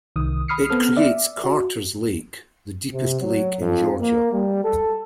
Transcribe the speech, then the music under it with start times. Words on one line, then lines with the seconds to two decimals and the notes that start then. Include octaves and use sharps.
It creates Carters Lake, the deepest lake in Georgia.
0.16 C2 D#3 D#6
0.48 B5 D#6 F6 C7 C#7
0.70 B3 C4 A4 F6
0.96 D5 E5
1.44 F#4
2.90 C3
3.21 F#3
3.59 F2
4.00 A#3
4.32 G3
4.63 A4